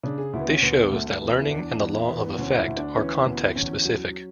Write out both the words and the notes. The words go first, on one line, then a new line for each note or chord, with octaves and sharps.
This shows that learning and the law of effect are context-specific.
C#3 D4
G#4
D2 E4
B3
C#4
D2 B3
B3
D2 A3
A3
E2 B3
E4
E2 D4
E2 D4
E4
E2 B3
B3
D2 C#4
E4
D2
D4
E3 C#4
D2 B3
E2 C#4
F#3